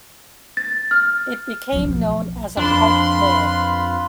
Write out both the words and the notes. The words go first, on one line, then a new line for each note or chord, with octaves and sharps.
It became known as a halt there.
A6
F6
B1 F3
F2 F3 D4 F4 B4 B5 C6